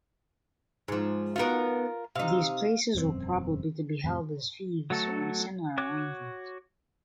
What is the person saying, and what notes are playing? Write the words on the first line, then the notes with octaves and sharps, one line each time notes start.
These places were probably to be held as fiefs or in a similar arrangement.
G#2 F3
B3 D#4 F4 F#4 A#4
C3 D#4 F5
E1 F#2 F#3 C4
F2 A2 C3
F#3 A3 F#4 A4
F#4 C#5 D6 F#6